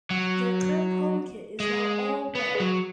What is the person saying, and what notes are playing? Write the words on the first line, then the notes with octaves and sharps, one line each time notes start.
Their current home kit is now all red.
F#3
G#3
B3
G#3
F#3